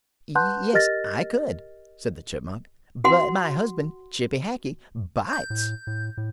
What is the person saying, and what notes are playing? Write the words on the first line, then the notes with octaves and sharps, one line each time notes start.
"Yes, I could," said the Chipmunk, "but my husband, Chippy Hackee, bites!"
B4 F#5 A5 C6 F#6 G6
G4 A#4 D#5 F6 A6 A#6
F#4 F#5 C6
G6
A2
A2
A2